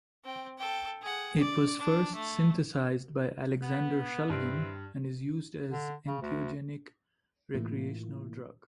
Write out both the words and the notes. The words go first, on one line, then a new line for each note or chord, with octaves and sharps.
It was first synthesized by Alexander Shulgin and is used as entheogenic recreational drug.
C4 G5
A4 G5
G#4 F#5
D5
D4
A3
B3
G2 C4 E4 B4
D3
C#3
D2
A2 E3 A#3 E4 F4